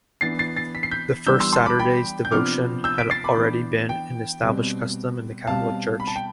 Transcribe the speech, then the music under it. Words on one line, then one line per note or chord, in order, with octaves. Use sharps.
The First Saturdays devotion had already been an established custom in the Catholic Church.
E3 B3 D4 A6 C7
A6 C7
A6 C7
B6
C7
G6 B6
E3 G3 B3 D4 E6 G6
C6 E6
A5 C6
B5 D6
G5 B5
G6
C3 F3 B3 D4 D6 F6
E6 G6
B6 D7
A6 C7
B5 D6
E3 B3 D4
G5
B2 G3 C4
B2 G3 C4 F5 A5
B5
A5
G5